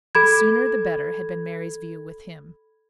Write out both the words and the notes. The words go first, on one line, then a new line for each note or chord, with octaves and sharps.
The sooner the better had been Mary's view with him.
A4 B5 G#6